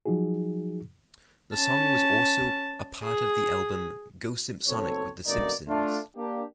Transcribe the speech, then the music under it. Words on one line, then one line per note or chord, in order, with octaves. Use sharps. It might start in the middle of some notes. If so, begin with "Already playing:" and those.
The song was also a part of the album "Go Simpsonic with The Simpsons".
F3 F#3 D#4 F#4 G#4
C#4 A5
G#4
F#1 B1 C4 A4 C#5
F#2 B2 D3 A#3 D#4 D5
A3 D4 F4
A#3 D4 G4